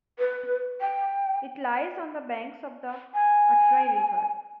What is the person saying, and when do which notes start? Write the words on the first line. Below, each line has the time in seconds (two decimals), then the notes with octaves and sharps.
It lies on the banks of the Atrai River.
0.19 B4
0.81 G5
3.14 G#5